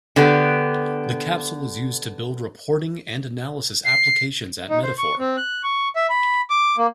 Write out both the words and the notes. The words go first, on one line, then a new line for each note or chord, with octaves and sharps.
The Capsule was used to build reporting and analysis applications at Metaphor.
D3 B3 G4 D5
C7
D#4
C5
C#6
C4
F#6
C#6
E5
B5
D6
A#3